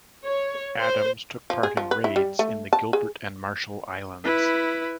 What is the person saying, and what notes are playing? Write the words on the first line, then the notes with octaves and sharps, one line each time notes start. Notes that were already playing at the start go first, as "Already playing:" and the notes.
Adams took part in raids in the Gilbert and Marshall Islands.
C#5
C5
F3
G#4
F3
B4
E4
G3
A3
A5
G#4
E4 B4